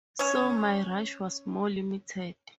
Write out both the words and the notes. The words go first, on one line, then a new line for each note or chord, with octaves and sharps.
So my rush was more limited.
C#4 C#5